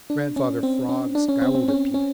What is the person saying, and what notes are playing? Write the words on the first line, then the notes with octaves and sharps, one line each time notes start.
Grandfather Frog scowled at Peter.
D4
C#4
C4
C#4
D4
C#4
C4
C4
C#4
C#4